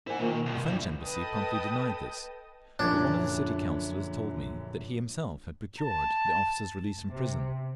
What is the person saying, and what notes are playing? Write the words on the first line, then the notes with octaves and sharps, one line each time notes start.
The French Embassy promptly denied this, but one of the City Councillors told me that he himself had procured the officer's release from prison....
E4 C5 F5 F#5 G#5
D#3 A#3 F4 C5
B2
C2
G2 D3 F3 E4 C5
A4 B4 D#5 G5 A5 D#6
A#1 F#2 D3 E3 D4 C#5 G#6
A5
C3